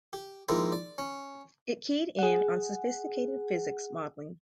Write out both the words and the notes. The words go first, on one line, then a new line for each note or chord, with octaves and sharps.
It keyed in on sophisticated physics modeling.
G4
G#2 F3 A#3 C4 E4
D5
C#4
G#4 F#5